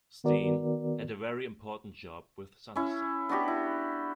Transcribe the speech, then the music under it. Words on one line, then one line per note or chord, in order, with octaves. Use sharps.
Stein had a very important job with Sunnyside.
D#3 B3 F#4 A#4 D5
C#4 E4
B3 D4 F#4 G4
E4